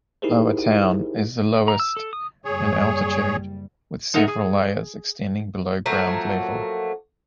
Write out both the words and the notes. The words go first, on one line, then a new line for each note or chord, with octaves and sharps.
Lower Town is the lowest in altitude, with several layers extending below ground level.
D#4 E4 G4 G#4 A#4 C5
A#5
E6
A4
D#6
F#1 G3 G#4 C#5
G#3 D#4 A#4 E5 F#5
G#4
F3 F#3 A3 A#3